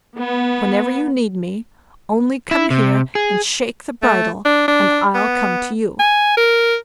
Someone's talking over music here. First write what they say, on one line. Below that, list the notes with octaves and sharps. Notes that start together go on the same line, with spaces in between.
Whenever you need me, only come here and shake the bridle, and I'll come to you.'
B3
E4
C3
G#4
A3
D4
D4
B3
G#5
A#4